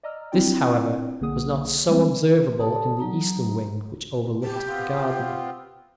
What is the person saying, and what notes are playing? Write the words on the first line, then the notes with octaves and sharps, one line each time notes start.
This, however, was not so observable in the eastern wing, which overlooked the garden.
D5 D#5 A#5 E6 F6
C4 D4 E4 F4 D5 G5
B1 D3 A#3 G#4 F#5 D#6
G3 G#3 A#3 C4 E4
G4 A4 D5 A5 D#6
F#3 D#4 A#5
A2 G3 G4 A5
B3 C4 F4